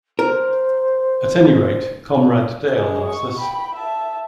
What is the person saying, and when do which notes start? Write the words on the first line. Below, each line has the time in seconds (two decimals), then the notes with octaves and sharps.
At any rate, Comrade Dale loves us.
0.19 A#4 C5
2.77 G#3 G#4
3.08 C#6
3.37 G5 B5
3.75 E5 A5